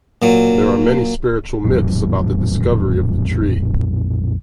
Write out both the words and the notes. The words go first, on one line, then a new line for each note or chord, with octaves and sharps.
There are many spiritual myths about the discovery of the tree.
A#2 F#3
A#1 F2 A2 F#3